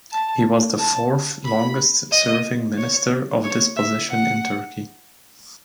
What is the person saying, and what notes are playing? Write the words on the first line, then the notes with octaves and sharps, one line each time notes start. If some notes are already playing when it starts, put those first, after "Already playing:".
He was the fourth longest-serving minister of this position in Turkey.
A5
A5
B5
D#5
C#5
C#5
E5
F#5